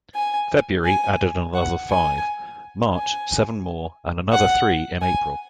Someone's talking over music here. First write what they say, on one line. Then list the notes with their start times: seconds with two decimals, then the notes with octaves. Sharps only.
February added another five, March seven more, and another three in April.
0.15 G#5
0.85 G#5
1.55 F#5
1.89 G#5
2.93 G#5
4.32 F#5
5.01 G#5